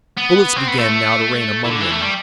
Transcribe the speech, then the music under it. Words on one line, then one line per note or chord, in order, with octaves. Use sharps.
Bullets began now to rain among them.
B3
C4
B3
A3
E3
D3
E3
A3
G3